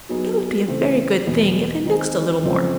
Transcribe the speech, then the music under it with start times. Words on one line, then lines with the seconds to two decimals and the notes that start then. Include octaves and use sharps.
It would be a very good thing if they mixed a little more.'
0.09 F#3 B3 D#4 G#4
0.68 C#3 E3 A3 C4
1.26 E2 B2 G#3 B3
1.85 D#3 G#3 C4 D#4 G#4
2.43 F2 C#3 F3 G#3 C4